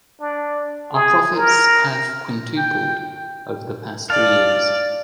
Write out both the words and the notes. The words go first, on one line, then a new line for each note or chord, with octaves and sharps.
Our profits have quintupled over the past three years.
D4
G#4
A#4
G5
D5 F5 A5